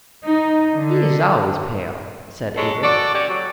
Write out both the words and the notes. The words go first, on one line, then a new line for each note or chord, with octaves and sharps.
"He is always pale," said Edith.
D#4
D3
F#3 G#3 A4 C#5
F#4 A4 D5
C#4 F#4 G4 D5
F#3